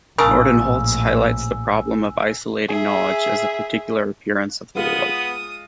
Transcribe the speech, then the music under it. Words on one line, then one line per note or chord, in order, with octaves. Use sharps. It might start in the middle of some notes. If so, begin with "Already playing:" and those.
Nordenholz highlights the problem of isolating knowledge as a particular appearance of the world.
A#1 A2 C#3 A#4 G#5 A5 E6
G#4 E5
G#3 B3 F4 D#6